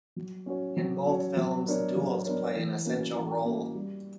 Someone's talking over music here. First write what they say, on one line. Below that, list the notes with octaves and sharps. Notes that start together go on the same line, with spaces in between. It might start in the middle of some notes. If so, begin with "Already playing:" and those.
In both films, duels play an essential role.
F#3
C#4 F#4 C#5
F#3
C#4 F#4 C#5
F#3
B3 D4 A#4 C#5
F#3
B3 D4 A#4 C#5
E3
A#3 C#4 F#4
E3
A#3 C#4 F#4
G3